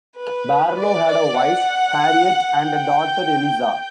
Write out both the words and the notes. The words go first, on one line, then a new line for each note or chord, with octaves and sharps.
Barlow had a wife, Harriet, and a daughter, Eliza.
B4
D5
D5
F#5
G5